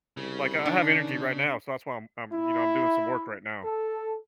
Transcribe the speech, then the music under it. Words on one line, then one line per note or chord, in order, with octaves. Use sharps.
like, I have energy right now, so that's why I'm I'm you know, I'm doing some work right now.
C2 C#3
D#3 D4
E4
A4